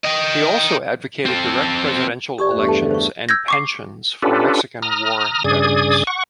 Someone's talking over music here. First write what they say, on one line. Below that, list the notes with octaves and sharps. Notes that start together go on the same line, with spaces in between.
He also advocated direct presidential elections and pensions for Mexican War veterans.
D#5 G5
C4 A4
G4 D5 C#6 D#6
E2 G2 A3 C5
G4 A4 G5 A5
C5 C#6
E6 G6 G#6 A#6
C#6 D6 C7
C#4 D4 F4 G4 A4 B4
A#5 D#6 F6
G2 C#3 G#4 D5 D#6 G#6
F#5 C#6